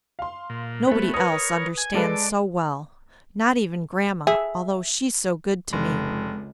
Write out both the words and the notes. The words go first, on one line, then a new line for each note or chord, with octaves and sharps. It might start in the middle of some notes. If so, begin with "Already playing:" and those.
Nobody else understands so well . . . not even grandma, although she's so good to me.
F5 C6
A#2
A3 B3 C4
A#4 B4 C#5 D#6
G#5
G#3 A4 B4 D5
G#4 E5
F1 C#2